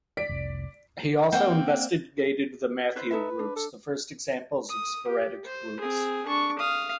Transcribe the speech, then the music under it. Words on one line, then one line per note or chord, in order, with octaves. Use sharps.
He also investigated the Mathieu groups, the first examples of sporadic groups.
D5 B6 D7
F1 C2
A#3 C4 C5 F#5 G5
E4 B4 C5
D#4 A4 B4 E5
D4
A4
D#6
G4
C5
C4 G#4
D4 C#6
F5 D#6